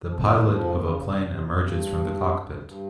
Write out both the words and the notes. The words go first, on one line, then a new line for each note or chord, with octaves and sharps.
The pilot of a plane emerges from the cockpit.
F2 F3
F3
D#2 D#3
F2 F3
C#3
D#2 D#3
C#3
C3
C3
C3
A#2
G2
F2
G2
G2
G2